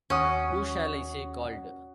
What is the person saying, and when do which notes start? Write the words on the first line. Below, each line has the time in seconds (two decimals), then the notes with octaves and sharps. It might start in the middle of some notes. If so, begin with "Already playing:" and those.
Who shall I say called?
0.10 D#2 C#4 F#4 F#5 D#6